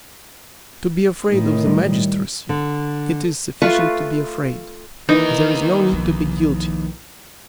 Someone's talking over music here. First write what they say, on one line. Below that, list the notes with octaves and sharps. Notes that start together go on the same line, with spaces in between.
To be afraid of the magistracy, it is sufficient to be afraid, there is no need to be guilty.
A2 D#3
G3
D3
A3 F4 B4 C#6
D#2 E3 D#4 A#4
B1 F3